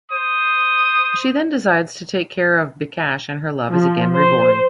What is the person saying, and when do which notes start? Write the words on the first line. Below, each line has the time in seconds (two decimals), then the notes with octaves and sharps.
She then decides to take care of Bikash and her love is again reborn.
0.10 C5 D#6
3.69 F3
4.14 C5